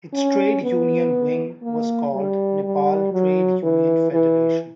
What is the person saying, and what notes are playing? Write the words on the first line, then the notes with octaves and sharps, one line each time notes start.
Its trade union wing was called Nepal Trade Union Federation.
C#4
B3
A#3
G3
G3
F#3
E3
E3